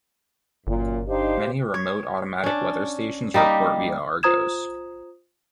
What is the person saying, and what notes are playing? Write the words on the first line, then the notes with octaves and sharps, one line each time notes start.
Many remote automatic weather stations report via Argos.
G1 F#2 A#2
D4 D#4 G4 C5 F5
C#5
C#4 D4
G3 A#3 D#4 G4
F4 C5 A#5 D#6 G#6 E7